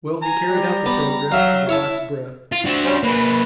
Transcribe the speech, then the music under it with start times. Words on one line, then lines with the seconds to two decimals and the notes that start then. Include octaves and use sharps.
Well, he carried out the programme to the last breath.
0.23 G#5 A#5
0.53 G3
0.86 B3 D5
1.32 F#3 E5 F5
1.69 E4 C#5 E5 A5
2.52 F4
2.65 C4 D4 F#4
2.84 G3 C#4 C5
3.03 A#3 G#4 B4